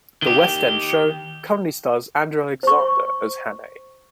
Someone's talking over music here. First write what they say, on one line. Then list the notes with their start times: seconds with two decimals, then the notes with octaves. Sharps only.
The West End show currently stars Andrew Alexander as Hannay.
0.22 D#3 G4
2.63 C5 C#6